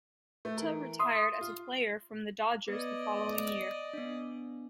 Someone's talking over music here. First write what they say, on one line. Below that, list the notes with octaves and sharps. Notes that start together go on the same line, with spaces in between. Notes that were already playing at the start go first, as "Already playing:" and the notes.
Mota retired as a player from the Dodgers the following year.
A3
E3 A#4
E5 C6 D#6
F4
B3 B4 D5 D#5 G#6
B3 D4